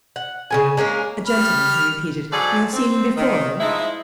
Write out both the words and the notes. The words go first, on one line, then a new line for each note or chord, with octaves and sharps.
"A gentleman," he repeated; "you have seen him before--eh?"
F#5
C#3 G#3 G#5
G#3 A#3 C#4 A#4
G3 B5 F6
G#2 F#3 G#4 A4 D5
C4
D#3
F3 G#3 D#4 E4